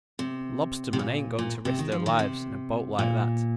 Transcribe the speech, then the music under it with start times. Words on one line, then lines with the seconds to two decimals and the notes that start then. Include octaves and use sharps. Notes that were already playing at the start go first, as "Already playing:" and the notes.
Lobstermen ain't going to risk their lives in a boat like that.
0.19 C3
0.93 C3
0.99 A#2
1.39 A#2
1.65 C3
1.79 D#3
1.92 F3
2.06 D#3
2.19 C3
2.99 A#2